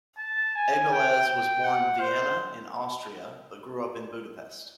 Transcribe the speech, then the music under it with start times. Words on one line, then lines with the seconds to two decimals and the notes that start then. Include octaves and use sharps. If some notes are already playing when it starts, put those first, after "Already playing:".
Abeles was born in Vienna, in Austria, but grew up in Budapest.
0.18 A5
0.55 G#5
0.92 G5
1.27 G5
1.64 F#5
2.00 C5